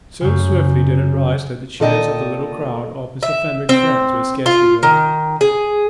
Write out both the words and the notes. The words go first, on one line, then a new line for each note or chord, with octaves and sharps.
So swiftly did it rise that the cheers of the little crowd of Mr. Fenwick's friends were scarcely heard.
F#2 C#3
A#2 A4 D#5 G5
E5
C4
F4
D#3
G#4